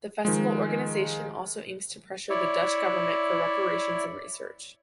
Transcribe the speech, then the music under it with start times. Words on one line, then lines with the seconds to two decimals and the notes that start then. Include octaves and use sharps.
The festival organisation also aims to pressure the Dutch government for reparations and research.
0.25 D#3 F3 G#3
2.30 E4 C#5 D5 E5